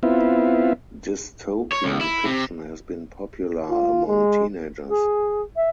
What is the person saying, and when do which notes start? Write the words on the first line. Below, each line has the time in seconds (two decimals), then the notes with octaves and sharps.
Dystopian fiction has been popular among teenagers.
0.03 B3 C4 E4 F4
1.72 C#5
1.85 C#2
2.01 E4
2.26 C3
3.69 F4
4.07 G#3
4.89 G#4
5.56 E5